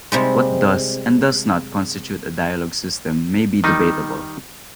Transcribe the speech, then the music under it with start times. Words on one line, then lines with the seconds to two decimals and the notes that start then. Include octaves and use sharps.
What does and does not constitute a dialog system may be debatable.
0.12 C3 G3 G#3
3.64 D#3 G3 D#4